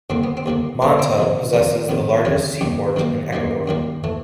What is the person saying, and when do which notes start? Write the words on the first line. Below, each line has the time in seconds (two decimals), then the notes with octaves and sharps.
Manta possesses the largest seaport in Ecuador.
0.10 D#2 D3 G3 A#3 C4
0.24 B3
0.37 C4
0.46 D#2 D3 G3 A#3
0.82 D#2 D3 G3 A#3 B3
0.99 C4
1.18 F2 C3 D#3
1.53 F2 C3 D#3
1.89 F2 C3 D#3 B3
2.25 F2 C3 D#3 C#4
2.61 F#2 D#3 G3 A#3
2.96 F#2 D#3 G3 A#3
3.33 F#2 D#3 G3 A#3
3.67 F#2 D#3 G3 A#3
4.04 E3 A3